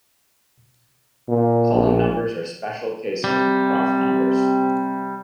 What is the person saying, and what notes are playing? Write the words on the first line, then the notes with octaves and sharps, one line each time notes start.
Cullen numbers are special cases of Proth numbers.
A#2
A#1
C3 G3